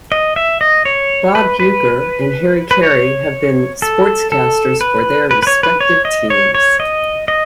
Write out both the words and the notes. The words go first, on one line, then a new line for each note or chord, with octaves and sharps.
Bob Uecker and Harry Caray have been sportscasters for their respective teams.
D#5
E5
D#5
C#5
B4
B4
B4
C#5
A4
A4
B4
B4
B4
C#5
B4
C#5
D#5
C#5
C#5
D#5
D#5